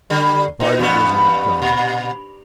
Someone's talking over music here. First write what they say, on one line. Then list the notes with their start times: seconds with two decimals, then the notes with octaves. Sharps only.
The party does not come.
0.10 D3 G3
0.60 B2 D#4
0.79 E2 G2 B3
1.62 A#2